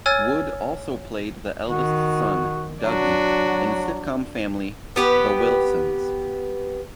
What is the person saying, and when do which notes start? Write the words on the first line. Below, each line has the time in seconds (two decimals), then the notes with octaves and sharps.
Wood also played the eldest son, Dougie, in sitcom family "The Wilsons".
0.06 C#5 G#5 E6 F6 G#6 A6
1.70 D#3 F#4
2.83 F#3 D4 F#4
4.96 B3 G4 B4